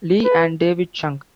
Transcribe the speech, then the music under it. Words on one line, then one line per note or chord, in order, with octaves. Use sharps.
Li and David Chung.
B4